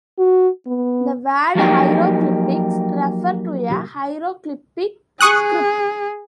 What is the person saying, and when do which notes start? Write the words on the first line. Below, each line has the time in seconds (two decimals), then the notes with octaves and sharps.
The word "hieroglyphics" refer to a hieroglyphic script.
0.19 F#4
0.67 B3
1.55 F3 F#3 A#3 D#4 G4
5.21 G#4 C#6 D#6 F#6